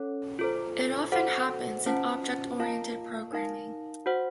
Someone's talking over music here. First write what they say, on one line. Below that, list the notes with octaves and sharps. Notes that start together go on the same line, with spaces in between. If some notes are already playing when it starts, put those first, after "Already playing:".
It often happens in object-oriented programming.
Already playing: C#4 A4 C#5
F4 A4 C5
F#4 A4 C5 F#5
C#4 F4 C5 F#5 A5
A#3 F4 A#4 F5 A5
D#4 A#4 F5 A5
F#4 C5 F#5